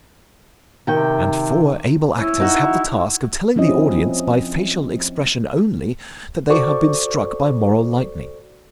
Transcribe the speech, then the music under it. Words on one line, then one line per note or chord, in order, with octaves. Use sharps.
And four able actors have the task of telling the audience by facial expression only, that they have been struck by moral lightning.
C3 D#3 G5
C#4 E4
D#4 F#4
F3 C4 C#4 E4 D#5
F#4 A4 C5 D5 C#6 D6